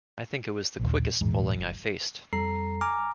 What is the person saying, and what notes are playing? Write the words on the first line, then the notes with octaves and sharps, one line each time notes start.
I think it was the quickest bowling I faced.
A#1 D#2
A#1 E2 G#2
F#1
F2 G3 A4 A#5 C7
G#5 A#5 D6 F6